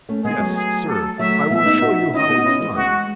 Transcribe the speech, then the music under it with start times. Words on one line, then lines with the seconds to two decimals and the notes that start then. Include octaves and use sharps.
Yes, sir, I will show you how it's done.
0.09 A3 C#4
0.24 G#3 B3 G#4
0.40 F#3 A3
0.56 G#4
0.87 A4
1.19 F#3 A3 E5
1.51 G#3 B3 E5
1.66 B3 D#4
1.82 D#4 F#4
2.04 D#4
2.14 C#4 E4 D#5
2.24 E4
2.29 B3 D#4
2.38 F#4
2.45 C#4 E4
2.60 E3 G#3
2.76 E3 G#3 F#4